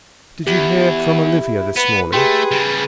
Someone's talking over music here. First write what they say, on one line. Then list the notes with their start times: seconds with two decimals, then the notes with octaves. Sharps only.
"Did you hear from Olivia this morning?"
0.47 E2 E4 G4
1.76 B3 B4
2.13 A3 G4 G#4 B4 G5 C6
2.51 C#3 G3